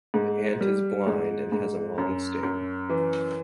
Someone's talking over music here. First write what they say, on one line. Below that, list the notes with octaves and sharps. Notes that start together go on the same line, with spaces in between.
The ant is blind and has a long sting.
G#2
G3
G#2
G#2
F#2
F#2
E3